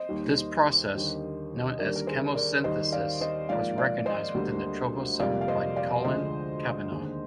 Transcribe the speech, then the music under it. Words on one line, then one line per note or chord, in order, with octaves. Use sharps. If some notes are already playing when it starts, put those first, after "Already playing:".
This process, known as chemosynthesis, was recognized within the trophosome by Colleen Cavanaugh.
Already playing: C5 D#5
D#2 D#3 G3
D#2 D3 G3 A#3
D#5
D#2 D3 G3 A#3 A#4 D5
A#4
G#4 C5
A#4 D5
D#2 D#3 G3 A#3 C5 D#5
D5 F5
C5 D#5
G#2 F3 A#3 D5 F5
D5 F5
C5 D#5
D2 D3 G3 A#3
F2 C3 G3 A#3 D5 F5
F5
C5 D#5
D5 F5
D2 D3 F3 G#3 C5 D#5
D#2 D3 G#3